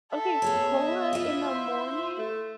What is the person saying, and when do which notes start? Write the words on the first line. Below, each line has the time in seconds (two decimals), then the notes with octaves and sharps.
Okay, cola in the morning?
0.13 A4 E5
0.42 B3 G#4 C#5
0.73 D#5
1.13 E4 F4
1.42 C5
2.19 A3